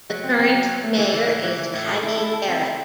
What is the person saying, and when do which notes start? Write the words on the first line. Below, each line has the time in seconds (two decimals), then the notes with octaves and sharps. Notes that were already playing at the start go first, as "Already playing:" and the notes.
The current mayor is Patti Garrett.
0.10 F#3
0.23 C4
0.39 C4
0.54 F#3
0.69 F#3
0.84 A3
0.98 E3
1.13 E3
1.28 A2
1.43 E3
1.58 E3
1.74 A2
1.89 A4
2.03 E4
2.17 A4
2.33 A4
2.48 C4
2.62 E4